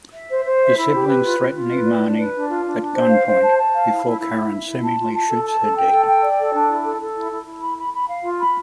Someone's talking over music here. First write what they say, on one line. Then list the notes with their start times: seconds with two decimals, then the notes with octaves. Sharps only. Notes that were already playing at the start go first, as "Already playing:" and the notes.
The siblings threaten Imani at gunpoint before Karen seemingly shoots her dead.
0.14 E5
0.30 C5
0.45 C5
0.62 E5
0.77 E4
0.92 G4
1.08 B4
1.23 F4
1.39 F4
1.54 F4
1.71 B4
1.85 D5
2.01 D4
2.16 B4
2.32 D4
2.48 F4
2.64 D4
2.79 D4
2.94 C5
3.10 F5
3.26 C5
3.41 A5
3.58 A5
3.72 F5
3.89 E4
4.04 E4
4.19 E4
4.35 E5
4.51 E5
4.66 E4
4.82 A5
4.97 F4
5.12 A5
5.28 A4
5.43 A5
5.60 A4
5.75 G5
5.90 A4
6.06 G5
6.21 D5
6.37 A4
6.53 D4
6.68 E4
6.84 A4
7.00 A4
7.16 E4
7.31 E4
7.46 E4
7.61 B5
7.77 B5
7.93 B5
8.09 F5
8.24 F4
8.40 B5